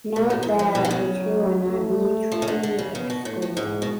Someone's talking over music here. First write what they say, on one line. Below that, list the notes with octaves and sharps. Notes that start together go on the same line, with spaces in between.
Note that the two are not mutually exclusive.
B2
A2
G#2 F3
A2
B2
D3
C#3
F#3
A3
F3
C#3
D3
D3
C#3
C#3 B3
B2
A2 A3
A2
G#2 G#3
B2